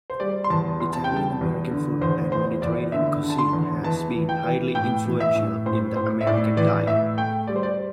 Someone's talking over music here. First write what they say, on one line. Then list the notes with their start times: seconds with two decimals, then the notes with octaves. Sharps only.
Italian-American food and Mediterranean cuisine has been highly influential in the American diet.
0.10 C5
0.20 G3 D5
0.44 C6
0.50 E2 A5
0.80 E2 C6
0.93 A5
1.04 G5
1.11 G3
1.17 A5
1.41 E2
1.71 D3
2.01 E2 C5
2.32 E2 C5
2.62 E2 D5
2.92 D3 E5
3.23 D3
3.30 A5
3.38 C6
3.53 E2
3.83 E3 A5
4.14 E3
4.29 G5
4.44 E3
4.75 A2 G5
5.06 E3
5.20 E5
5.35 A2
5.66 A2 C5
5.96 A2 C5
6.21 E5
6.26 A2 D5
6.57 E3 D5
6.87 A2 E5
7.17 A3 G5
7.47 G3 D5
7.56 C5
7.63 D5